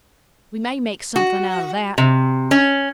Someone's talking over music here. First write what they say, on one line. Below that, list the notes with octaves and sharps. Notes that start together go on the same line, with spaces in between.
We may make something out of that.
F#4
C3
C#4